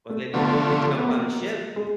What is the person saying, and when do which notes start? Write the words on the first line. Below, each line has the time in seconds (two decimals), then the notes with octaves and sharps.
Well, then you you jump on a ship.
0.10 A3
0.33 D3 F3 A3 B3
0.97 B3
1.08 A#3
1.76 G#3